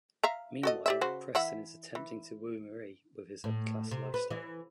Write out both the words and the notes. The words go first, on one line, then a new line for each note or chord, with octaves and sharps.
Meanwhile, Preston is attempting to woo Marie with his upper-class lifestyle.
E5 F5 A#5
F#4 A4 D#5
G4 D5 E5
C#3 F#4 C5
E3 E5 F#5
E3
A2
C3
B4
E3